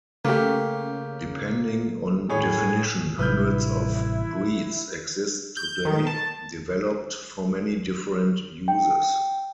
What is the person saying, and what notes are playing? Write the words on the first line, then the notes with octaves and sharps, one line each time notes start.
Depending on definition, hundreds of "breeds" exist today, developed for many different uses.
C#3 A3 A#3 G4
A2 G#4 C#5
A1 C3 G3 E4 B4 F6 G6
G6
D#3
A5
G5